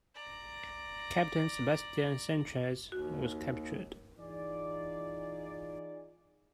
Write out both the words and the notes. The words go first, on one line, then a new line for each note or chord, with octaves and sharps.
Captain Sebastian Sanchez was captured.
D5 A#5
D#2 F#4
E3 D#4 F4 G#4 D5